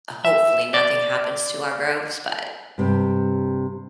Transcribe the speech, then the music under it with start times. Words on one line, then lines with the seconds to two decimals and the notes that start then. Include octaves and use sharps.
Hopefully, nothing happens to our groves, but
0.25 E5
0.74 D5
2.78 G2 C3